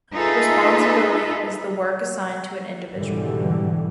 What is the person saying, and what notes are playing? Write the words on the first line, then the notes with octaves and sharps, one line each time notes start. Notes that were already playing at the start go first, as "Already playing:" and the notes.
Responsibility is the work assigned to an individual'.
D#4 F4 G#4 A4 B4 E5
G#2 B2 D3 E3 G3